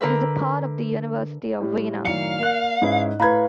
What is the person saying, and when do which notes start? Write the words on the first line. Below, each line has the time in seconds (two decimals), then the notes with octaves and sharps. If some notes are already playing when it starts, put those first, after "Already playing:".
It is a part of the University of Vienna.
0.01 D3 A#4 B4 E5
1.60 A2 G3
2.05 F#2 A2 D#3 D5 F5 C#7
2.39 A#3 A#4 F#6
2.82 G#2 C#4 E4 B4
3.20 A2 A3 B4 F5 A#5 B5 G#6